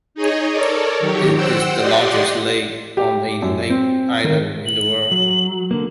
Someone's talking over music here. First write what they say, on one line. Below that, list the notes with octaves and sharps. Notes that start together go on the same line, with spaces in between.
It is the largest lake on a lake island in the world.
D#4 G#4 C#5 D#5
A4 A#4 C#5 D5
D#3 F#3 G4 C#5
C5 F#5 G5 E6
G4 D5 D#5 F#5 C6
G4
F#2
C4
D#3
F#7
F#3
D3 A#3